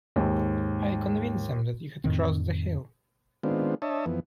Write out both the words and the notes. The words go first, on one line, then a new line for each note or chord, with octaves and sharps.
I convinced them that you had crossed the hill.
D#2 G#2
F2 A2 D#3 C4
D#3 G#3 B3 C4 D4 F4
D4 C#5 D#5 E5 A5
F2 E3 B3